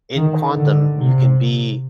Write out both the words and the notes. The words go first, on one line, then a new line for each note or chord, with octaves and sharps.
In quantum, you can be
D#3
D3
C3